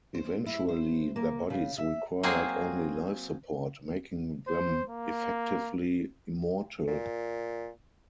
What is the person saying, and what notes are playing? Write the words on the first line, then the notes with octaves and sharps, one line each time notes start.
Eventually, their bodies required only life support, making them effectively immortal.
C5
E4
C5
A#3
C#3
E5
F#3 A#3 C4 G#4
C5
A#3
A#2